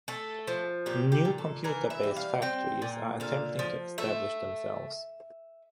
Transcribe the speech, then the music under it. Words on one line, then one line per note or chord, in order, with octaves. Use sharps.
New computer based factories are attempting to establish themselves.
A3 A4
F3
A#2 G4
G4
A#2
A4
E3 A#4
E5
G3
F5
C4 G5
A#2
D3 F5
F3
A3 E5